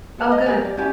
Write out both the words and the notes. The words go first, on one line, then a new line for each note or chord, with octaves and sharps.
Oh, good.
A4 B4 A5
D#5
G4 A#4 G#5
D5
C#4 E4 G4 G#5